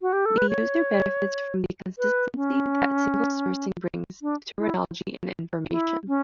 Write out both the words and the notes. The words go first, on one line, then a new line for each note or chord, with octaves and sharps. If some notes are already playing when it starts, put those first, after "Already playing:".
The user benefits from the consistency that single-sourcing brings to terminology and information.
F#4
G4
A4
B4
C#5
B4
C#4
D4
E4
E4
C#4